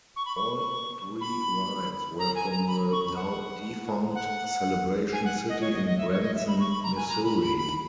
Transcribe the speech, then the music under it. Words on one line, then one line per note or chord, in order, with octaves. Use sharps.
All three rides were from the now defunct Celebration City in Branson, Missouri.
C#6
B5
C#6
B5
A#5
G#5
A#5
B5
C#6
B5
F#5
F#5
G#5
F#5
D#5
C#5
D#5
D#5
E5
C#5
D#5
E5
B5
C#6
B5
A#5
G#5
A#5
B5
B5
B5